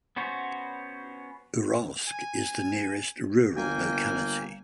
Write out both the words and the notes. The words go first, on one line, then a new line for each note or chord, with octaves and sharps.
Uralsk is the nearest rural locality.
B3 C#4 F#4 C5 C#5
G#5
G1 A#3 G5 G#5